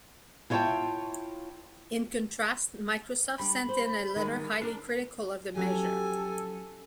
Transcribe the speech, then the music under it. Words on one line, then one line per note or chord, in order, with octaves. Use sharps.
In contrast, Microsoft sent in a letter highly critical of the measure.
E4 F4 C#5 D#5 G5 A5
G3 D4 B5
C5
D#3 G3 G#3
D4 A#4
F3 F#3 C#4 G4 A4 G#5